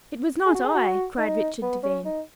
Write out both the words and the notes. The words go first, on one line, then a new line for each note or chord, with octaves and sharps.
"It was not I!" cried Richard Devine.
G#4
F#4
G#4
F#4
D#4
B3
C#4
D#4